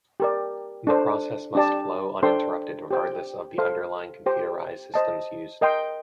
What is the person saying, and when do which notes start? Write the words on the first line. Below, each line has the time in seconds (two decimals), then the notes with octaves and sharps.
The process must flow uninterrupted regardless of the underlying computerized systems used.
0.20 G4 A#4 D5
0.87 D4 A4 C5
1.55 D4 G4 D5 A5
2.23 D4 A4 C5 G5 C6
2.91 G4 C5 G5
3.58 A4 C5 F5 C6
4.26 G4 C5 G5
4.94 C5 D#5 A5
5.61 A#4 D#5 G5 C6